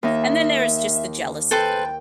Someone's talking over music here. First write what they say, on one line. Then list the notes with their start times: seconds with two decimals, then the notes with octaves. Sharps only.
and then there is just the jealousy thing.
0.03 D#2 D#4 E5
1.51 A4 B4 C5 G5